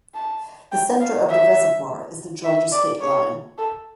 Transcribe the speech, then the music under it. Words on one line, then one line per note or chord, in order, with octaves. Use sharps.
The center of the reservoir is the Georgia state line.
A5
G5
F5
E5
E5
D5
C#5
A4